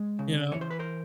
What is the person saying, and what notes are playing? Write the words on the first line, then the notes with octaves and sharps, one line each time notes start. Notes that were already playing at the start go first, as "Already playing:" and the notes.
You know?
Already playing: G#3
C#3
E3 C#5
C5
B4
A#4 C5